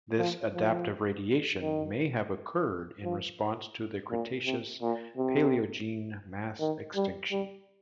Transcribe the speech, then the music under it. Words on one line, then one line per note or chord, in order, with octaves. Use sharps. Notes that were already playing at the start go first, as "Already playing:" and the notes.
This adaptive radiation may have occurred in response to the Cretaceous-Paleogene mass extinction.
F3
F3
D#3
F3
A#2
C3
A#2
C3
D#3
G3
G3